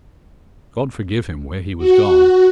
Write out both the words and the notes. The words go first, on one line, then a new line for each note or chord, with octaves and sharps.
God forgive him, where he was gone!
F#4